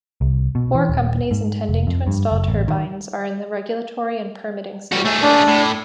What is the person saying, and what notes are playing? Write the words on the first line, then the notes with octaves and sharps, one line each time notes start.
Four companies intending to install turbines are in the regulatory and permitting stages.
C2
B2
E3
D#1
G#2
F1
F2
G2
F#1
A1
D#3
G3 F#4
A3 G#4
D4
A2